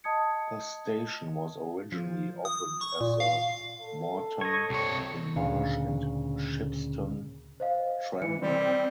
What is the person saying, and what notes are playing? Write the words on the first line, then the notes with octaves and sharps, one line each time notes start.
The station was originally opened as the Moreton in Marsh and Shipston Tramway.
D#5 A5 D#6 G#6 C#7
F3
D#6
C#6
A#2
F5
A4
C#5 D#5
C2 C4 C#5
D2 A#2 C#3 D4 F5
C5 D#5 F5
E3 C#7
G3 C4